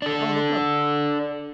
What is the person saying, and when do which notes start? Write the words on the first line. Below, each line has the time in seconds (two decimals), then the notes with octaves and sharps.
Oh, no problem.
0.02 D4 A4